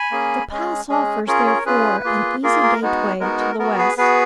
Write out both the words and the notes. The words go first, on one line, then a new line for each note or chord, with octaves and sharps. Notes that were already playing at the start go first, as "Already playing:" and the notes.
The Pass offers, therefore, an easy gateway to the West.
Already playing: G#5 B5
A#3 C#4 G#4
G#3 C#4 G#4
G#3 C#4 G#4
C#4 F4 G#4 A#4 C#5
A#4 C#5
C#4 F4 G#4 B4
A#3 F4 G#4
A#3 F4 G#4 A#4
A#4
G#3 B3 D#4 F#4
G#3 B3 D#4 F#4 A#4
A#4
B3 F#4 A#4
G#4 B4
B3 F#4 G#4 B4